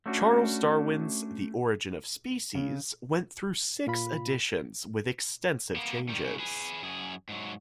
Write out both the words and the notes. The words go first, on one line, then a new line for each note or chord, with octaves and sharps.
Charles Darwin's "The Origin of Species" went through six editions with extensive changes.
A3 C#4 D4 E4 F#4
C#3
A#2 F4 B5
A#3 B3
D#3 G3
G#2 C#3
G#4 B4
F#2 G#4
G#2 F#3